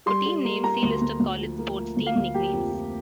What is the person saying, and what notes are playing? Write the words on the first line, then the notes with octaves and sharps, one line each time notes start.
For team names, see List of college sports team nicknames.
G3 C6
G3
A#3
A#3 A#5
D2
D2
D2
F3
A#3
F3
D2
F5
D2
A#3 G4
F2
F3